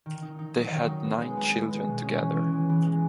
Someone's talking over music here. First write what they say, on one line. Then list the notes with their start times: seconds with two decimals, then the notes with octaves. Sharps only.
They had nine children together.
0.06 D#3
0.22 D#4
0.39 D#4
0.55 F#3
0.71 D#3
0.88 D#4
1.04 B3
1.21 G#3
1.37 B3
1.54 B3
1.70 G#3
1.86 B2
2.03 C#4
2.20 E3
2.36 E3
2.52 G#3
2.69 E3
2.86 G#3